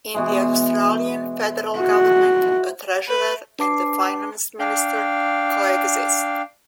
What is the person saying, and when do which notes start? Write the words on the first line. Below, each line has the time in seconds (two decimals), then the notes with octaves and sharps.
In the Australian federal government a treasurer and a finance minister co-exist.
0.14 B2 E3 G#3
1.79 F#4
3.08 B4
3.59 D4 B4 A5 D6 C7
4.60 D4 F5 G5